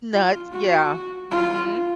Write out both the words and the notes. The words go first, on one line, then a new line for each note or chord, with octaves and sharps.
Nuts, yeah. Mhm.
F4
F#4
F4